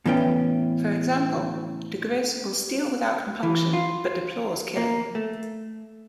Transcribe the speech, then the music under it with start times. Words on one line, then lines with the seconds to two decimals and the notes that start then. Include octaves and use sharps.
For example, diGriz will steal without compunction, but deplores killing.
0.06 A2 E3 B3 C#4 G5
3.43 E3
3.73 F4
4.77 A#3
5.15 A3